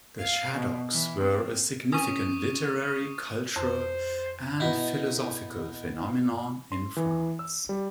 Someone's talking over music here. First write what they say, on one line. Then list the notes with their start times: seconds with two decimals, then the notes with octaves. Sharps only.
The Shadoks were a significant literary, cultural and philosophical phenomenon in France.
0.20 F5
0.55 B2
0.92 E3
1.21 C4
1.93 C#4 C#6 D#6
3.56 F2 C5
4.60 B2 D#4 E4
6.72 C6
6.97 E3
7.39 E6
7.69 G3